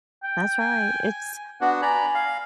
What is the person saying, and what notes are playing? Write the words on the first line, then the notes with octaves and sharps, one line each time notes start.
That's right, it's
G5
G#5
B3 D4 F#4 F#5
D5 G#5 A#5 B5
F5